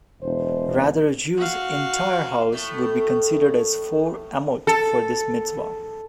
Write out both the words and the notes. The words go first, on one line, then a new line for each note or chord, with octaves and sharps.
Rather, a Jew's entire house would be considered as four "amot" for this mitzvah.
E1 C5
F#4 F5
A2 A3
A4